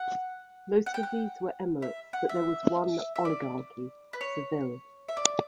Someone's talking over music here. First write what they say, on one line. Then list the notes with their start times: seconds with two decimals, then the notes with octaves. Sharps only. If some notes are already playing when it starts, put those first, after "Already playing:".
Most of these were emirates, but there was one oligarchy, Seville.
Already playing: F#5
0.86 F#5
0.94 G5
1.03 F#5
1.82 E5
2.13 F#5
2.29 E5
3.16 E5
3.25 D5
4.13 B4
4.21 C#5
5.08 E5
5.17 D5